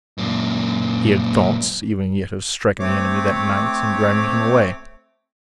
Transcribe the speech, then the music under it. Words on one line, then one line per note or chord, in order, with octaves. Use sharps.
He had thoughts even yet of striking the enemy that night and driving him away.
F#2 A#2
A3 C4 C#5 D6